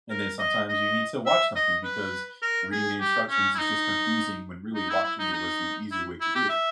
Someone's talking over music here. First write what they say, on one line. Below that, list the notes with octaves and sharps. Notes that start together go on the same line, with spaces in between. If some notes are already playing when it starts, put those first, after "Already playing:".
and then sometimes you need to watch something because reading the instructions is just confusing when really watching it was the easier way to do it.
A#4
D#5
D#5
E5
D#5
B4
A#4
G#4
G4
C#4
E4
D#4
D#4
E4
E4
D#4
D#4
E4
E4
G4
E5